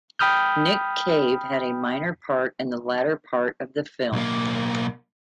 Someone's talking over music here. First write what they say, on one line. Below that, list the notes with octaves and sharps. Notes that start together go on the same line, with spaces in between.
Nick Cave had a minor part in the latter part of the film.
G5 B5 D#6 F6 G6
B1 A#3